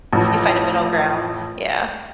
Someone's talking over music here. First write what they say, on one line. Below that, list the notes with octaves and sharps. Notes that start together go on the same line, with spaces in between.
So you find a middle ground, yeah.
A1 F2